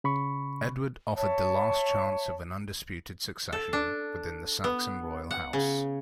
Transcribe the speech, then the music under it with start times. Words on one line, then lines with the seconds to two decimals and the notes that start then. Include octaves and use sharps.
Edward offered the last chance of an undisputed succession within the Saxon royal house.
0.04 C#3 B5 C#6
1.16 C#5 E5 A5
3.53 A4
3.73 D4
4.64 B3
5.31 F#5
5.53 C#3